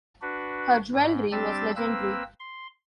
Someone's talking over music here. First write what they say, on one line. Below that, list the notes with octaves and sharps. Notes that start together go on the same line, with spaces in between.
Her jewelry was legendary.
D4 F#4 B4
G#2
G3 C4 D4 G4 E6 A6
A#3 C4 B4 E6
C6